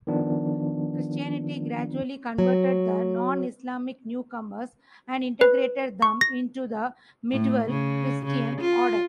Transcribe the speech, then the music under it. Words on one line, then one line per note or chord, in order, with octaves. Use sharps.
Christianity gradually converted the non-Islamic newcomers and integrated them into the medieval Christian order.
D#3 F3 B3 D4 F4
F#3
B4
C#6
A#6
A2
C#3
C#3
F4